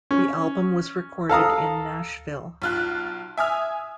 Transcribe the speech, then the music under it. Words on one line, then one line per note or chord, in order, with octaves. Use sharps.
The album was recorded in Nashville.
C#4
A4 F5 A#5 D#6
B1 F4 F#6
E5 G#5 D#6 F6